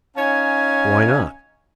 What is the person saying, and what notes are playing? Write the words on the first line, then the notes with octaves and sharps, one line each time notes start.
"Why not?"
C#4 D#4 C#5 F5 G#5